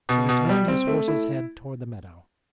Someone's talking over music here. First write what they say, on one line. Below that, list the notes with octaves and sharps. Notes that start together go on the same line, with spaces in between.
So he turned his horse's head toward the meadow.
B2
B2
G3
C4
A3
E4